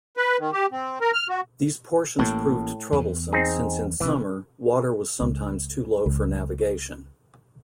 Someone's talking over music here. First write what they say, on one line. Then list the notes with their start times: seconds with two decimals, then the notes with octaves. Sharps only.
These portions proved troublesome since in summer, water was sometimes too low for navigation.
0.17 B4
0.39 D#3
0.53 G4
0.72 C4
1.01 A#4
1.13 F6
1.29 F#4
2.19 A1 A2 A#3
2.92 E2
3.33 C4 D#4 G#4
4.00 E1 C3 E3
5.21 C#2
6.06 C#2